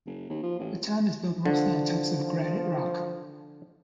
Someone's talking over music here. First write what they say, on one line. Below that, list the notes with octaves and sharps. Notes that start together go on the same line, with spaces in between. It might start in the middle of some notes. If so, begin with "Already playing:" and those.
The town is built mostly on types of granite rock.
F#1
D#2
F3
A1
D3 F3